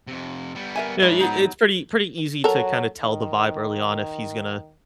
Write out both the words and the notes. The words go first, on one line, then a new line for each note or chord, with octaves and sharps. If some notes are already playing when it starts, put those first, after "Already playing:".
eh i it's pretty pretty easy to kinda tell the vibe early on if he's gonna
F2 C3
G3 B3
A#4 E5 G#5
G#2 G3 A3 C#5
F#3 B3 D#4
F#3 A4 A#4
D#3